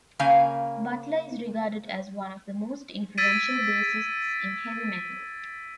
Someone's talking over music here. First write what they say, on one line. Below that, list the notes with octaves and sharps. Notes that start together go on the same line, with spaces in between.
Butler is regarded as one of the most influential bassists in heavy metal.
C#3 A#3 F5 G#5
E6 G#6 A6 B6 D7 D#7